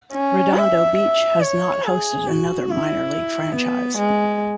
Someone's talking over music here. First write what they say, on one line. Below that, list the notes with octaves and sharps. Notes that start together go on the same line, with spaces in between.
Redondo Beach has not hosted another minor league franchise.
C#4
E5
E5
C#5
G#4
F#4
E4
B3
G#3